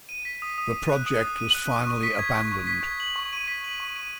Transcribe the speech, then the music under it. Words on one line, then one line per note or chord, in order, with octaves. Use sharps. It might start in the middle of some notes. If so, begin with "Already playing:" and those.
The project was finally abandoned.
D#7
B6
D#6
D#6
D#7
F#6
D#6
D#6
D#7
F#6
C#6
C#6
B6
G#6
C#6
C#6
B6
G#6
F#7
C#6
D#7
B6
F#7
C#6
D#7